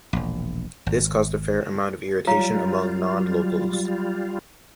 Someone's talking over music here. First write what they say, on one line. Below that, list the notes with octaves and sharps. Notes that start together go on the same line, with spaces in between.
This caused a fair amount of irritation among non-locals.
E1 A#1
G#1
F#3 G3 F4 C#5 F5 A#5